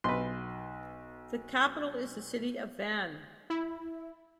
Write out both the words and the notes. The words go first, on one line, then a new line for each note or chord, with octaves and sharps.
The capital is the city of Van.
B1 B4 C6
E4